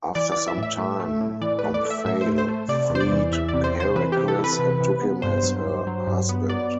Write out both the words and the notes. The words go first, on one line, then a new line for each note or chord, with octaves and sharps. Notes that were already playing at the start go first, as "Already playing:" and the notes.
After some time, Omphale freed Heracles and took him as her husband.
E3 D5
E3 D5
E5
A2 E5
A3
A3
A2
E3 D5
A3 B4
D5
A3
E5
A2 E5
C5
A3
C5
A3
C3 D5
E2
C5
D5
E3
E2 E5
D5
C3
C5
C3 C5
E3 B4
C3 G4
A4
E3
B4
C3
C3
B3
G2 C5
F#3
G2
F#3
G2
B3
F#3 D5